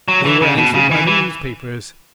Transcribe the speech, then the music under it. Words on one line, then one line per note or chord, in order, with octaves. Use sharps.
They were answered by the newspapers.
F#3
E3
C#3
B2
C#3
E3
E3